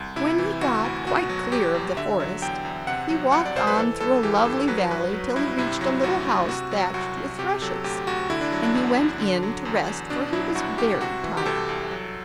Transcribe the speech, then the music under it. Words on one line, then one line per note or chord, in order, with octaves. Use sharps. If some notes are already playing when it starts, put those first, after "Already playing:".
When he got quite clear of the forest he walked on through a lovely valley till he reached a little house thatched with rushes, and he went in to rest for he was very tired.
Already playing: C2
C3 E4
E3
D2 F#4
D2
B2 F#4
F#3
E2 G4
E2
D3 E5
F#3
E2 G5
E2
C3 F#5
F#3
C2 F#5
D5
C2 C5
B4
E3 A4
G2 A4
E3 G4
G2 A4
F#3 B4
G2 B4
F#3
G2 E4
C3 E4
F#3
D2 F#4
D2
C3 F#4
F#3
C2 F#4
C2
C3 G4
F#3 A4
D2 G4
D2 F#4
D3 E4
D4
F#3
D4
E2
E2
D3
F#3
E2
E2
B2 D4
F#3 E4
C2 F#4
C2 G4
C3 F#4
E3
G4
C2 A4
C2
F#3